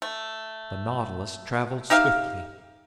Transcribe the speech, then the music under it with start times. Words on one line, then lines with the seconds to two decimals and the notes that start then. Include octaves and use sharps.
The Nautilus traveled swiftly.
0.02 A3
1.90 D#4 G4 E5 F5